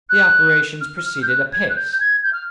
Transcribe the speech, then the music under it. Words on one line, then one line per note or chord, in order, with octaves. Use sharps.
The operation proceeded apace.
F#6
F6
F6
G6
F#6
G#6
F#6
G6
G6
G#6
G6
F6